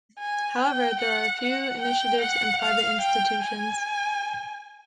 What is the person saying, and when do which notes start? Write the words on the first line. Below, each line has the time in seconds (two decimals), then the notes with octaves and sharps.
However, there are a few initiatives and private institutions.
0.19 G#5
0.60 G5
1.00 F#5
1.41 F#5
1.81 G5
2.21 F#5
2.61 F5
3.01 G5
3.42 G#5